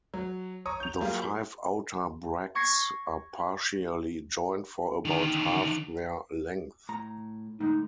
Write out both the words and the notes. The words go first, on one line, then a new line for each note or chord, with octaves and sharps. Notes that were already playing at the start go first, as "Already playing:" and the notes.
The five outer bracts are partially joined for about half their length.
F#3
C#5 A#5 C#6 D#6
G6 F7
F#3 G3 A#3 F4 G#4
C#6 G#6 A#6 C7 C#7
D3 D#3
A2 A#5
A2 D3 G#3 D#4